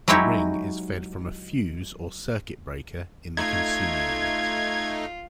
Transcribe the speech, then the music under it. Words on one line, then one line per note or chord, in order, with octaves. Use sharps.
The ring is fed from a fuse or circuit breaker in the consumer unit.
F#3 G#3 D#4 E4 G4 C#5
A3 D#4 F4 G#6